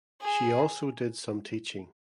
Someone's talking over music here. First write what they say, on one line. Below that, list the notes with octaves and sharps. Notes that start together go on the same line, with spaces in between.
She also did some teaching.
G#4